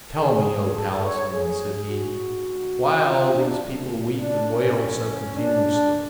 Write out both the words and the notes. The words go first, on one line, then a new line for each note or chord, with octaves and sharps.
"Tell me, O Talisman," said he, "why all these people weep and wail so continuously?"
F2 F3 B3 G#4
A4
C#5
F#2 F3 A3 C#4 G#4
F#4
D2 D3 G#3
F4
D4
D2 C#3 F#3
D4
C#4
F#2 C#3 F3
D4